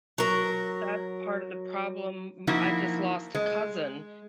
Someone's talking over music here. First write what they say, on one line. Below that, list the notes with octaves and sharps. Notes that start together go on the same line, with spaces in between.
that's part of the problem. M I just lost a cousin,
F#3 A#4
F3 A#3 D#4 E4 F#4
G#3